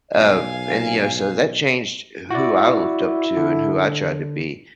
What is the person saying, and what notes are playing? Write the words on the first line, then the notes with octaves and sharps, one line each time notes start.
uh, and, you know so that changed who I looked up to and who I tried to be,
B1 F5 G#5
E4 F#4 D5
D3